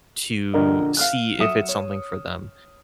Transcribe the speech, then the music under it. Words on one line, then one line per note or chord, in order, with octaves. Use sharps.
to see if it's something for them.
A#1 D3 A#4 D#5
F5 F6 F#6
F#3 E5 D#6 C#7 E7
C#5